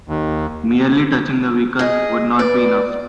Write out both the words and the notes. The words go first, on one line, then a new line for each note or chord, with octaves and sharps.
Merely touching the vehicle would not be enough.
D#2
G#4 D#5
B4 D5